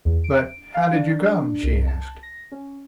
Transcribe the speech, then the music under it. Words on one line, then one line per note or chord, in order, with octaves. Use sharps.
"But how did you come?" she asked.
E2
D7
F5
D4
C2
A5
A#6
C#4